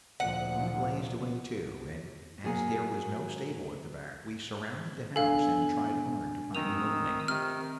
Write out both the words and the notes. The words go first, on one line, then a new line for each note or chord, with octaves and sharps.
We blazed away too, and as there was no stable at the back we surrounded the house and tried hard to find an opening.
D2 A#2 F3 F#5
F#3 A#3 G#4
E1 D4 A4 F5 G#5
F1 D#3 D#6 E6 F7
C3 D#3 F6